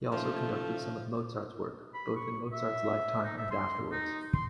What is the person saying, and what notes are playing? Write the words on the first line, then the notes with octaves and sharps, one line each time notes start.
He also conducted some of Mozart's works, both in Mozart's lifetime and afterwards.
C#3 F3 A3 A#3 D#4 C5
B5
C#6
E5
D#4
E5
C6
D#4
C6